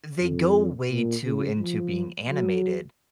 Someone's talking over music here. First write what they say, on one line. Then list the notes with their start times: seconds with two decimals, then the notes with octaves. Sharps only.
they go way too into being animated,
0.22 F2
0.91 A#2
1.25 C#3
1.59 F3
2.29 F#3